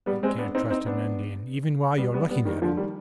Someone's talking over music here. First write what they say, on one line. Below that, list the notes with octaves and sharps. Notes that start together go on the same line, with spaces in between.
"You can't trust an Indian even while you are looking at him."
G3 B3
G#3 C4
B3 D4
C4 D#4
C4 D#4
B3 D4
G3 B3
G3 B3
G3 B3
D#3 G3
D3 F3
D#3 G3